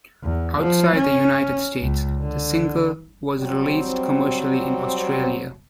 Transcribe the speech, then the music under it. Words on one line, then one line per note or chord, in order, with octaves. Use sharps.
Outside the United States, the single was released commercially in Australia.
E2
F3
C#4
C#2
D3
F#3 G3 C4